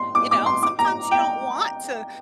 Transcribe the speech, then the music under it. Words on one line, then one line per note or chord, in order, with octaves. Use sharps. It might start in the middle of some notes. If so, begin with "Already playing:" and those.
you know, sometimes you don't want to
Already playing: C6
D6
D6
C6
D6
A#5
G5